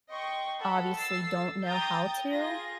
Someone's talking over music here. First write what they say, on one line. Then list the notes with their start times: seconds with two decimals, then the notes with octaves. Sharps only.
obviously don't know how to,
0.10 D#5 G5 C6 C#6
0.59 A4 F#5 B5
0.95 E6 A6 C7
1.67 G5 A#5 D#6 G6 A6
2.31 F4 G#4 A#6